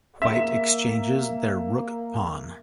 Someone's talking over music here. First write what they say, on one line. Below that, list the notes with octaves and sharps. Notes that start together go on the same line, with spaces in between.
White exchanges their rook pawn.
A#3 E5